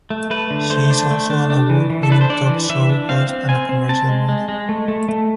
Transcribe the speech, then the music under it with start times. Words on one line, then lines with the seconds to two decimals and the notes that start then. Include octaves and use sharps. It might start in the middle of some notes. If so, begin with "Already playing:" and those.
She is also an award winning talk show host and a commercial model.
0.10 A3
0.30 A3 B4
0.51 D3
0.70 A3 C5
0.91 D4
1.11 A3
1.30 D4
1.50 D4
1.70 E3
1.90 E3
2.03 A4
2.10 D4 B4
2.21 C5
2.30 D4 D5
2.49 E3
2.69 E3 E5
2.89 D4
3.09 C4 F5
3.29 C4
3.49 C4 G#5
3.69 C4
3.89 C4 A5
4.08 G#3
4.29 G#3
4.48 G#3
4.69 A3
4.88 A3
5.09 A3